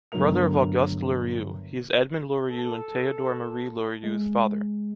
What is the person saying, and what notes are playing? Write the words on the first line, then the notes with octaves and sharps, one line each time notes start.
Brother of Auguste Lorieux, he is Edmond Lorieux and Théodore-Marie Lorieux’s father.
G1 D3 F#3 A3 A#4 F7
A4
G#3